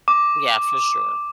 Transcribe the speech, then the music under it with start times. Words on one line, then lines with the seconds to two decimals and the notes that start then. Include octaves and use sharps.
yeah, for sure.
0.08 D6